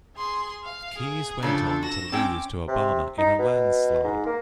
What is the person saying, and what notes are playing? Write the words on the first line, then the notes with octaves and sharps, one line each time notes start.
Keyes went on to lose to Obama in a landslide.
G#4 C6
F5
G#4
C#3 F3 D4 A4
F#4 A#6 E7
C4 C#4 G5 D6
C3
D#4
B2
G#2
A#3